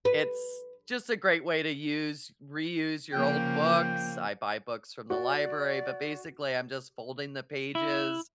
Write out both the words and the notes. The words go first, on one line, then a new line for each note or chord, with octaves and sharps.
it's, just, a great way to use reuse your old books, I buy books from the library but basically I'm just folding the pages,
B4
C#3 F3 A#3 G5
F#4 D5
E4